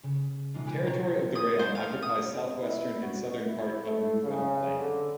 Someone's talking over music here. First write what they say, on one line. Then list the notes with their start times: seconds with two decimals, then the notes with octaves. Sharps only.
Territory of the rayon occupies south-western and southern part of Mugan plain.
0.03 C#3
0.54 B2 E3 G#3 D4 D#4 F4
0.66 F4 G4 B4 F#5 G#5 D6
0.86 G4 G5 A5 A#5 C#6
1.35 D#6
1.59 C5
1.75 F5
2.02 D#6
2.62 E4
3.02 F#4
3.46 E4
3.83 A3
4.24 C#3
4.79 D3